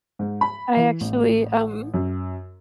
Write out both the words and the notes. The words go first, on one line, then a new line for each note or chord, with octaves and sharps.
I actually, um,
G#2
B5
E3
A1
F#2